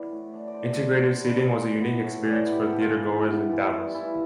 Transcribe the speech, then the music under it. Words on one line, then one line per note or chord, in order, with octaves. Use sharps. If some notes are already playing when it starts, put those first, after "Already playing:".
Integrated seating was a unique experience for theatergoers in Dallas.
Already playing: E3 B3 B4 D5
A2
D4
D5
D4 C5
C5
A2 D5
B3 C5
D4 B4
D4 C5
E3
B3
A2
E3 D5
B3
G4
B3 A4
G4
F4
E3
E3
B3
E3
G2
E3 E4